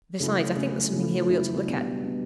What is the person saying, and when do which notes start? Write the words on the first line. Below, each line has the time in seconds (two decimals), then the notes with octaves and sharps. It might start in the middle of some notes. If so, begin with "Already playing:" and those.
Besides I think there's something here we ought to look at.
0.20 C#3 F#3 A3 C#4 E4
0.56 C#3 F#3 A3 C#4 E4
0.93 C#3 F#3 A3 C#4 E4
1.29 C#3 F#3 A3 C#4 E4
1.66 B2 G3 B3 D4
2.03 B2 G3 B3 D4